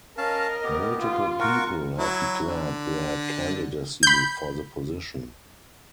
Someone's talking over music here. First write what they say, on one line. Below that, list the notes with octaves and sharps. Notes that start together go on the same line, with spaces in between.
Multiple people have declared their candidacy for the position.
C#4 A#4 D#5 F5 A5
B3 G4
F4
F4 F#4 A#4 C#6
F#3 E4
D3
B5 G6